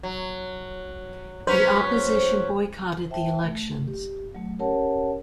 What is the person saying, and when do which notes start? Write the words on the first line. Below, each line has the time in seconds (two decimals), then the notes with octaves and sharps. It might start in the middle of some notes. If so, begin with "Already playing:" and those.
The opposition boycotted the elections.
0.03 F#3
1.47 F#3 C#4 B4 C5
3.10 C5 E5 G5 A5
3.44 A3
3.87 G4
4.35 F#3 A3
4.59 C#4 G4 A#4 C#5 F#5 A5